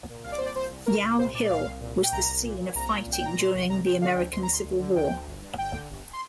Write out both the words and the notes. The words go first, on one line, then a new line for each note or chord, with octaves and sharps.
Yow Hill was the scene of fighting during the American Civil War.
A#2
C2 F5
D5
A#2 C5
D5
C2 C5
C2
C2 A#4
C2
A#2 C5
A#2 D5
D5
C2 F5
C2
A#2
A#2
G5
C2 A#5
C2
A#2
A#2
C2 A#5
A#2
C2
G5
A#2 A#5
A#2 C6
C2
C2 A#5
C2 G5
D3 F5
D2 G5
D2 C6
A#5
D2
C6
D2
D3
D2 G5
D2
G1
G2
G1 G5
D3
G1
C6